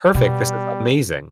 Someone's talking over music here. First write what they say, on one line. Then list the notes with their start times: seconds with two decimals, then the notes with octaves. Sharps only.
perfect. This is amazing.
0.15 B2 G3